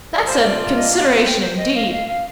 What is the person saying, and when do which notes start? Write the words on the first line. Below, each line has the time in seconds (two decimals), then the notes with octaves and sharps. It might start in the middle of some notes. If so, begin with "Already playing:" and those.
That's a consideration, indeed.
0.14 D5
0.26 C3 F3 A#3 F4 C5
0.42 D5
0.59 D5
0.76 D#5
0.92 F5
1.01 D#5
1.09 F5
1.26 G5
1.41 C5
1.58 D#5
1.75 F5
1.91 F5
2.07 F5